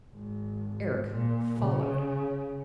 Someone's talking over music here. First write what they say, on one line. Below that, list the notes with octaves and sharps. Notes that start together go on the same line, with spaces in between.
Eric followed.
G#1
A#2
C#3